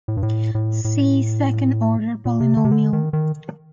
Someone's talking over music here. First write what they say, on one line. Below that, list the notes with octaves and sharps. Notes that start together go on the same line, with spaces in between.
See second order polynomial.
A2
G2
A2
A2
A2
A#2
C3
D3
C3
D3
D#3
D#3